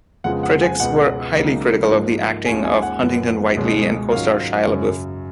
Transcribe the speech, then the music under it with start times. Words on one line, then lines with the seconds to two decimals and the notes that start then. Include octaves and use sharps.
Critics were highly critical of the acting of Huntington-Whiteley and co-star Shia LaBeouf.
0.24 F2 C#3 G#3 B3 F4 F#5
0.43 F#5
0.62 G#5
0.79 C#2 B2 G#3 B3 F#5
1.35 C#2 C#3 F#3 A#3 D#4
1.90 G#2 F3 A#3
2.46 D#2 D#3 G#3 C#4 F4 G#5
2.64 G#5
2.82 F#5
3.01 F#2 F3 B3
3.57 C#2 B2 G#3 C#4
4.12 G#2 D#3 F#3 C#4 F4 F5
4.67 F#2 C#3 F#3 C#4